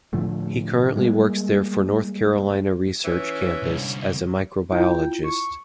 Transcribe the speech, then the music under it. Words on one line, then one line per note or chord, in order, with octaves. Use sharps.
He currently works there for North Carolina Research Campus as a microbiologist.
A2 D3 F3 A3
G3 G#3 A#3
E3 C#4
C2 D3
E4 F4 G5
C#6